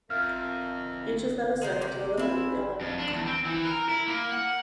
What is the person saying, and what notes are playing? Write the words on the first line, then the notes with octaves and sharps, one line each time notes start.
Each is then assigned to eliminate the other.
F2 A#4 E5 F6
G#3 A#4 C5
C3 G4
C4 E4 F4 G#4 B4
F2
D4
E2
C4
E3
A#4
E4
A#3
F#5